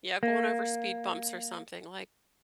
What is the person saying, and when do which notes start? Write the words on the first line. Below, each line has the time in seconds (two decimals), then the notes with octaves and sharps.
yeah, going over speed bumps or something, like
0.23 A#3